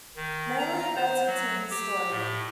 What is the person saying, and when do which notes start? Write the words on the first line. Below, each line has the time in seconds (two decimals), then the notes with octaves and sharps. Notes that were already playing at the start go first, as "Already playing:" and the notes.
Mainly Betty Ting's story.
0.16 D#3
0.59 A#5
0.96 C5
1.26 F#3
1.71 G4
2.10 A2